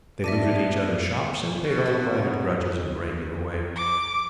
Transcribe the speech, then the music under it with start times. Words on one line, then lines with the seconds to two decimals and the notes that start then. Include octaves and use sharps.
They looted each other's shops, and paid off private grudges in the regular way.
0.24 B3 D5 E5 A5 D6 A#6 D#7
1.64 B2
1.86 C3 F#4
3.76 D6